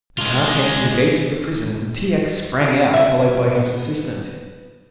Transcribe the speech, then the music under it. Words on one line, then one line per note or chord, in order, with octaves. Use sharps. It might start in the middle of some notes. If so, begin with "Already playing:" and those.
The car came to the gates of the prison and T. X. sprang out, followed by his assistant.
G#3 F4
C#4
E5
B3